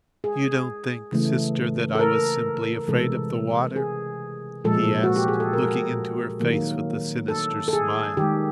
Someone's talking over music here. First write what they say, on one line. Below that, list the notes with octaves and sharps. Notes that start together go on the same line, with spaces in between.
"You don't think, sister, that I was simply afraid of the water?" he asked, looking into her face with a sinister smile.
G#4
C#3 E3 A3
A4
A#4
C3 E3 G#3 A4
G#4
A#2 F3 G#3 A4
F#4
G4
G#4
A4
A#4
D#3 F#3 A#3
A4
A4
G#4
D#3 G#3 G4